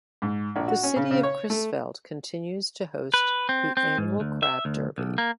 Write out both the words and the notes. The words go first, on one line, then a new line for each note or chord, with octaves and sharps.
The city of Crisfield continues to host the annual Crab Derby.
G#2
A#1
F#4
C#4
C#3
C#3
C#5
A3
B4
C4
C4
G#2
D2
E5
D2
B1
A#3